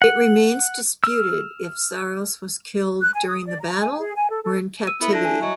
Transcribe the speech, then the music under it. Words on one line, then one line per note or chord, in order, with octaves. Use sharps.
It remains disputed if Psarros was killed during the battle or in captivity.
F#5
E6 F6
F#6
G#5
D#6
D5
A#5
G#5
G#4
G#5
A4
A4
E6 D#7
B3 E4 A4 E5
D3 A5 A#6
G#5
F#3 D#5 E5